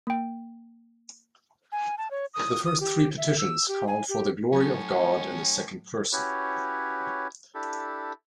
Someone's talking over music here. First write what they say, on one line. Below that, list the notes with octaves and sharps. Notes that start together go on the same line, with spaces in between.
The first three petitions called for the glory of God in the second person.
A#3 G5
G#5
A5
C#5
D#6
D#6
G4
E5
E6
G4
G#5
G4
A2 F#3 C#4
C#4 E4 F#4 G4 B4 C#5
D4 E4 G4 A4